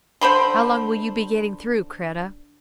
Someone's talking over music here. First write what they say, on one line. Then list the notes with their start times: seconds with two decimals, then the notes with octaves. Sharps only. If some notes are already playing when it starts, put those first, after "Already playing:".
"How long will you be getting through, Kreta?"
0.21 D3 C5 B5 C6